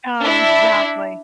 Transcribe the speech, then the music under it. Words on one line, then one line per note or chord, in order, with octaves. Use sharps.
Oh, exactly.
D4 E4 E5